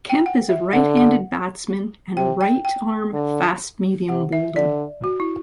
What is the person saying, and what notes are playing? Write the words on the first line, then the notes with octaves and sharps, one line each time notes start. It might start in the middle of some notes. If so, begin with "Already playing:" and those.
Kemp is a right-handed batsman and a right-arm fast medium bowler.
G5
F#5
E5
D3 F#5
F#5
C3 G5
G5
G5
D3
C3 F#5
E5
D3 D5
F#4
E4